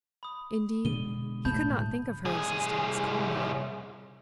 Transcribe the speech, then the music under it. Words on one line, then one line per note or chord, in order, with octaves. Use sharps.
Indeed, he could not think of her existence calmly.
B5 D#6
B2 D3 G#3 D#7 G7
A2 A5 B5 G6
C2 G#4